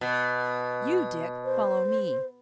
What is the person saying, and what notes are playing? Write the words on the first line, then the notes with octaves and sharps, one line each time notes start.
You, Dick, follow me.
B2
C5